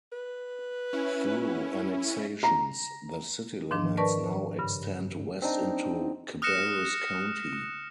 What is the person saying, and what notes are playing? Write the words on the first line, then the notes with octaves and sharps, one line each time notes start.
Through annexations, the city limits now extend west into Cabarrus County.
B4
C#4 E4
A#5
G#2 D#3 F3 D4
A#4 B4 D5 A5 C#6
G2 C#3
C4 D4 D#4
D#6 F6 F#6 A#6 C#7 E7